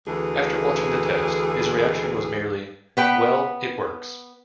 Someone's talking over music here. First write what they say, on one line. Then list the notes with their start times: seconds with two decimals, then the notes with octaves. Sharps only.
After watching the test, his reaction was merely Well, it works.
0.07 D2 E3 G#4
2.97 B3 B4 G5